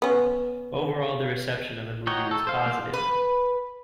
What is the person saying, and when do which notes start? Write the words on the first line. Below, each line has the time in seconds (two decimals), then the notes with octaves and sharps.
Overall, the reception of the movie was positive.
0.02 B3 C#4
2.07 D#4 F#4 C#5 G5
2.31 A4
2.47 C5 F5
2.66 A#3 C5 F5
2.94 B4